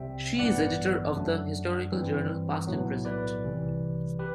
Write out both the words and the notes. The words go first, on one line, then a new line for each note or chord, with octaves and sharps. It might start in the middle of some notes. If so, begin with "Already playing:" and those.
She is editor of the historical journal "Past and Present".
Already playing: C2 C3 G3 C4 E5 G5
A1 G2 E3 B3 D5 F#5
F#2 F#3 A3 D4
G2 E3 G3 C4
B1 A2 F#3 B3
B4 D5
C2 C3 E3
G4 B4